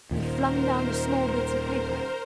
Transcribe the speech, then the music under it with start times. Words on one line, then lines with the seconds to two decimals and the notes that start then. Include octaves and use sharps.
He flung down the small bits of paper.
0.11 D#2 A#2 D#3 A#4 C5